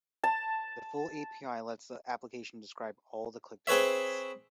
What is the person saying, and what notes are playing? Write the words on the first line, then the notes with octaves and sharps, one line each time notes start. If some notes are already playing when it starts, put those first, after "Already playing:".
The full API lets the application describe all the click targets.
A5
C4 G#4 B4 C#5 E5